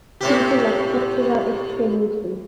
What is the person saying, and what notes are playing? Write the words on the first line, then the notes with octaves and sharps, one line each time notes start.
People accepted our explanations.
A2 C3 G4